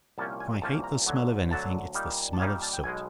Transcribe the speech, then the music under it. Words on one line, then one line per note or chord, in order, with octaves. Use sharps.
If I hate the smell of anything, it's the smell of soot.
C2 A#2 F3 A#3 C#4 A5
G#5
C2 A#2 F3 A#3 C#4 A5
A#5
D2 D3 F#3
D2 D3 F#3 A5
A#2 G3 A#3 D#4
A5
A#2 G3 A#3 D#4 G#5
A5
G5
B1 B2 G#3 G#5